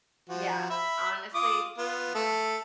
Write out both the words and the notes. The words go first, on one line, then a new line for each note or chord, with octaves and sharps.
Yeah. Honestly, no.
F3 F#4
E5 B5
F4 D6 D#6
B3 F4
A3 A4